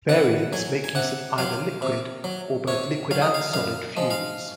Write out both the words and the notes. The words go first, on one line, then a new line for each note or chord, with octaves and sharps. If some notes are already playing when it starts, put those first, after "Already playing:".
Variants make use of either liquid or both liquid and solid fuels.
C3 F#5
F#3 G#5
G#5
C3 F#5
F#3 F5
C3
F#3
C3 C#5
F#3 F5
D#5
F5
F#2 F5
F3 G#3
F5